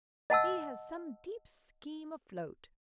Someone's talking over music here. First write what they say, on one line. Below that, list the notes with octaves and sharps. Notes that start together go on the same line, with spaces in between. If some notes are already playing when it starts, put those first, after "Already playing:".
He has some deep scheme afloat.
D#5 F#5 A5 E6